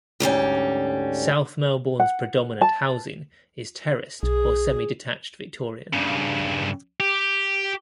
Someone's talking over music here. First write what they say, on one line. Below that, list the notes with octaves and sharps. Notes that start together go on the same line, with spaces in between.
South Melbourne's predominant housing is terraced or semi-detached Victorian.
D2 G#2 G3 C#4
F#5
A5
B1 G#4
G2 C#3
G4